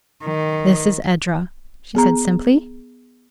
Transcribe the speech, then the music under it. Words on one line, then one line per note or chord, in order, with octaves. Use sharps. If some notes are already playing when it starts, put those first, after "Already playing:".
"This is Edra," she said simply.
D#3
B3 G#4 A#5